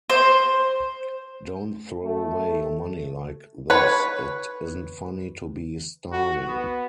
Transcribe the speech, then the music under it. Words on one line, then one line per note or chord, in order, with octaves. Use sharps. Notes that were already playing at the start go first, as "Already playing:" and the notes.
Don't throw away your money like this. It isn't funny to be starving.
C5
A3
B4 C#5
F#4
B3